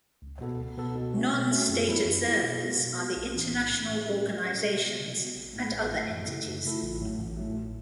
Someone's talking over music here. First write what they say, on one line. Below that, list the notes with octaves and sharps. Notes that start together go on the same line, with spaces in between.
Non-state observers are the international organizations and other entities.
C#2
B2 B3 A4
C#2
B2 B3 A4
B2
A3 C#4 F#4
B2
A3 C#4 F#4
F#2
F#3 B3 E4 A4
F#2
F#3 B3 E4 A4
B2
B3 F#4
B2
B3 F#4
B1
A2 E3 C#4
B1
A2 E3 C#4
A2
F#3 C#4 A4
A2
F#3 C#4 A4
B2
B3 F#4
B2
B3 F#4
A1
A2 A3
A1
A2 A3
F#2
C#3 A3 E4 A4
F#2
C#3 A3 E4 A4
A1
A2 F#3 A3
A1
A2 F#3 A3
A1